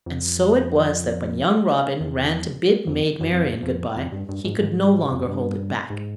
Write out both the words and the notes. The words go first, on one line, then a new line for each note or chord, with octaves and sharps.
And so it was that when young Robin ran to bid Maid Marian good-bye, he could no longer hold it back.
F2
E2
F2
F#2
F2
F2
F2
G2
G2
G#2
G#2
F2
F#2
G2
G#2